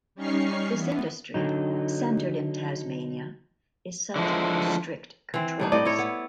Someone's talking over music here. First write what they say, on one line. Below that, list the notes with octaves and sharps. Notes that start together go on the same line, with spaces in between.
This industry, centred in Tasmania, is subject to strict controls.
G3 C#4 D#4 C#6 F6 C7
E3 B3
D3 F#3 D#4
D3 E3 F3 G#3
E3 C4
G2 D4 D#4
A2 D5 D#5
E4 C#5
B3